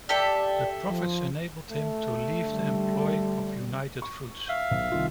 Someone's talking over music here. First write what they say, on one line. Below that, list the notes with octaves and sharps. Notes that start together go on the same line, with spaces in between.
The profits enabled him to leave the employ of United Fruits.
G4 A4 D5 E5
F3
A3
D3 G3
C#6
E5 F5
B1
C2 D#3 F4